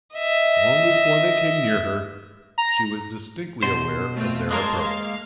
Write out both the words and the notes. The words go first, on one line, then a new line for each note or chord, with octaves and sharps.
Long before they came near her, she was distinctly aware of their approach.
D#5 E5
A#5
B2 C5
A3 C4 F4
G#3 A#3 A#4 A5 C6 G#6
F5